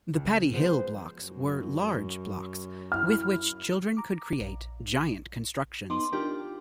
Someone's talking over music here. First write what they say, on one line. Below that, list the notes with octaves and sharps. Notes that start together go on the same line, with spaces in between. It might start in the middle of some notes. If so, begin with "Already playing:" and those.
The Patty Hill blocks were large blocks with which children could create giant constructions.
C#2
F3 G#3 B3 C5
F#2
E4 F6
A#5 D6
A#1
B3 D#4 C6 D6 C7
D4 D#4 F4 G4 A#4